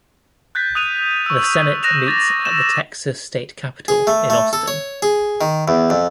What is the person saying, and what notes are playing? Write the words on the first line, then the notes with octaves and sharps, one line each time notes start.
The Senate meets at the Texas State Capitol in Austin.
F#6 G6 A6 B6
D#6 F#6 D#7 F7
C#6 E6
E6 F#6 A#6 E7 F7
D6 A6
E6 E7
G#4
A3
A3
A4
C#5
G#4
D#3
E2
F2